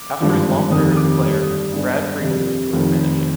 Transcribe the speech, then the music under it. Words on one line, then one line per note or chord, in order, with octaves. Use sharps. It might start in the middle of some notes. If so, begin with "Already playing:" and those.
After his long career as a player, Brad Friedel moved towards managing.
Already playing: D6
G#1 G2 D3 F3
F1 F2 D#3 G3 D#6
D#6
D6
G2 D3 G3 D#6
D#6
G2 D3 G#3 B3 D4
F2 C3 G3
F1 F2 D#3